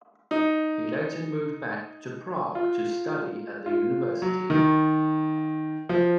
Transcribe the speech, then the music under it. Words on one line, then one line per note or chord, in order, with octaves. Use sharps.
He later moved back to Prague to study at the university.
D#4
F4
F4
F#3
D#3
F3